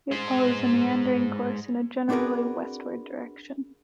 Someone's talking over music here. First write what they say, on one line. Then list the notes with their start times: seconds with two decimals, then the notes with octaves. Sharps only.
It follows a meandering course in a generally westward direction.
0.11 G#3 C5
2.09 C4 D4 F#4 G#4 A#4 B4